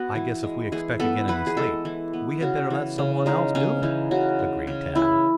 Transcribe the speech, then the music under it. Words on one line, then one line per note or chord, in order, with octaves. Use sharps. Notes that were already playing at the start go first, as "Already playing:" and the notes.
"I guess if we expect to get any sleep we had better let some one else do it," agreed Tad.
Already playing: B3 F#4
E3
G#3
E3 G#4
B3 A4
E3 B4
G#4
G#3 A4
E3
B3
C#3 F#4
E3
C#3
G#3 D#4
C#3 C#4
E3 D#4
C#3 F#4
G#3
C#3
E3 E4